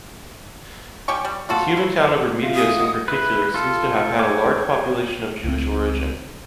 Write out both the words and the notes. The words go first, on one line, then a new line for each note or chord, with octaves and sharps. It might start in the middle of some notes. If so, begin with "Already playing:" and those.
The Cuban town of Remedios in particular seems to have had a large population of Jewish origin.
C#4 G4 G5 C#6
G3
F4 F#4 A4
E4
F4 E5 F5
E4 D#6
D#5 F#5
E4 B4
F4 A4
C#5 G5 D6
C#2 C4